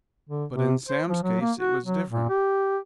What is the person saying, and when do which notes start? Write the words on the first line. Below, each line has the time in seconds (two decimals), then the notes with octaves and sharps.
But in Sam's case it was different.
0.29 D3
0.52 C3
0.88 C5
1.09 F3
1.23 F#3
1.41 A#3
1.59 F#4
1.85 F#3
2.10 A#2
2.29 G4